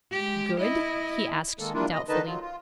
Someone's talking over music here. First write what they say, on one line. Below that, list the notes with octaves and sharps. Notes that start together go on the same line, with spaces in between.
'Good?' he asked doubtfully.
G#3 G4
E4 D#5
D#3 G#3 A#3 A4
G3 A#3 D4 E4 F4
D#5
D3 D#3 D#4 B4 D#5 A5
F#3 F4
F4